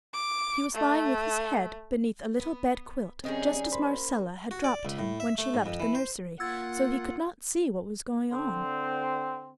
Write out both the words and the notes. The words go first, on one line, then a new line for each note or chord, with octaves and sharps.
He was lying with his head beneath a little bed quilt, just as Marcella had dropped him when she left the nursery; so he could not see what was going on.
D6
A3
B3
D3 D#3 G3 C4 C#4 G#4 D#5
A#3 C5 B5 C6
F#4
D5
C#2
A2
E5
A3
G#2
F2
E3
C5
A#3 F4 F#5 E6 G#6 A6
D3 C4